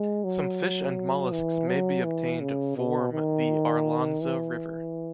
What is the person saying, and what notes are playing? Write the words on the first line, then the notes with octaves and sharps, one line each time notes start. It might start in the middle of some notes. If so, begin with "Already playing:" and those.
Some fish and mollusks may be obtained form the Arlanza river.
Already playing: G#3
F#3
E3
F#3
E3
C#3
B2
D#3
E3